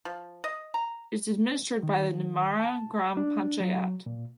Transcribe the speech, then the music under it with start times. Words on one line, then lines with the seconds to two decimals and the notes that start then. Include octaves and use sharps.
It is administrated by the Nemmara gram panchayat.
0.05 F3
0.44 D#5
0.74 A#5
1.83 D#3
2.60 A5
3.17 D4
3.60 F#3
4.06 A#2